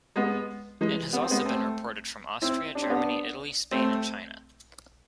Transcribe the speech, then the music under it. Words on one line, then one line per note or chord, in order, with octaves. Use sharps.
It has also been reported from Austria, Germany, Italy, Spain and China.
G#3 B3
E3 G#3
B3
C4
G#3 B3
A3 C4
C4 E4
D4
C4
B3 D4
A3 C4